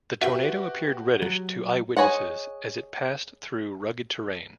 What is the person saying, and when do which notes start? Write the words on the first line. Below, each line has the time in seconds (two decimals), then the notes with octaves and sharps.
The tornado appeared reddish to eyewitnesses as it passed through rugged terrain.
0.22 F#4 G4 B4 E5
1.22 F#3
1.97 G#4 B4 C#5 D#5 F#5